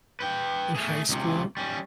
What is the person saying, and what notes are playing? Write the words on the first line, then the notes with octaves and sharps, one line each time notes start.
in high school,
B4 G5
A3 G#4
C#2 C3
G3 C#4